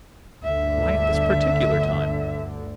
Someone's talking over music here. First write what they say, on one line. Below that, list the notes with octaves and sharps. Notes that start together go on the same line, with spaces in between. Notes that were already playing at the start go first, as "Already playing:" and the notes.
"Why at this particular time?"
G1 D2 D3 E5